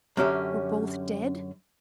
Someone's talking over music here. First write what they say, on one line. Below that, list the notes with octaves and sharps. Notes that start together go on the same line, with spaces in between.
Were both dead?
F#2 D3 C#4 G4 E5